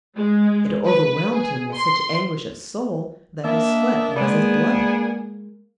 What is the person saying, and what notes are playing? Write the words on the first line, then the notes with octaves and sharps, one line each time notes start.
It overwhelmed him with such anguish of soul that His sweat was as blood.
G#3
B4
G#4
C6
A#3 D4 D#5 E5
G#3 B3 D4 G#4 D5